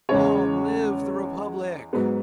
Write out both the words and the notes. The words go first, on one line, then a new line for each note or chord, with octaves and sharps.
"Long live the Republic!"
E2 C#3 G#3 C#4 C#5
G#2 F#3 B3